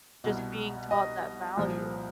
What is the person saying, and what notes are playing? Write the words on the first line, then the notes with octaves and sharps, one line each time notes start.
just being taught that value.
C2 B2
D#5
C2 A#2 F3